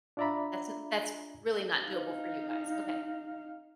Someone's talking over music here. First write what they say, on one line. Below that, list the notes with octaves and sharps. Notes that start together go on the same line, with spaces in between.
That's n that's really not doable for you guys, okay.
D4 F4 D5 E5 A#5 B5
D#4 F5